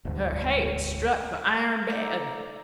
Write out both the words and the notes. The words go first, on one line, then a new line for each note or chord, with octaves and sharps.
Her head struck the iron bed.
E1 D2 G#2
D#4 A4 D5 E5 A#5